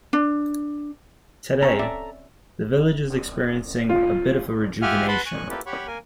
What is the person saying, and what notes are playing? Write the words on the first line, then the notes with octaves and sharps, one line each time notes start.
Today, the village is experiencing a bit of a rejuvenation.
D4
C4 C#4 A4 C#5 A#5
D5 E5
F4
F4 G4 E5 F#5 G#5 F6
B4 F#5 A5 B5 C6
G#5 C#6 F#6
A#3 E4 F4 G4 A4 B4
G4 C#5 F#5 B5 C#6
A#3 A#4 G#5